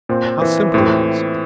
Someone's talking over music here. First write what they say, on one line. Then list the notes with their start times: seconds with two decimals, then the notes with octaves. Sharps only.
How simple it is.
0.09 A#2 C4
0.42 E3
0.74 A2 C4